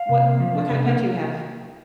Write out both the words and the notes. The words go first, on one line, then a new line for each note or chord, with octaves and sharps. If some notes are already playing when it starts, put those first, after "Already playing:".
what what kinda pet do you have,
Already playing: F5
C3
A#3
F3
D4
C3
A#3